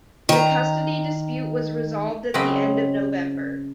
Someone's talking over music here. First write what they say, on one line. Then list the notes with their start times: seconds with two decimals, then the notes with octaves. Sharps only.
The custody dispute was resolved at the end of November.
0.29 D#3 A#5
2.34 C#3 F#3 C4 A4 D#5 B5